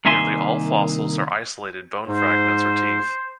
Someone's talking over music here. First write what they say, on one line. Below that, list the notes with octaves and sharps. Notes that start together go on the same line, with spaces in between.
Nearly all fossils are isolated bone fragments or teeth.
C2 D#3 A#3 E5 G#5 C6
G#2 C5